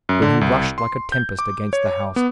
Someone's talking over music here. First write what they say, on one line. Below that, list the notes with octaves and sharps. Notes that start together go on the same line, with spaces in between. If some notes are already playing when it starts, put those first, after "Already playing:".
Then he rushed like a tempest against the house.
F#2
D3
C2
C6
G6
D6
C#5
B3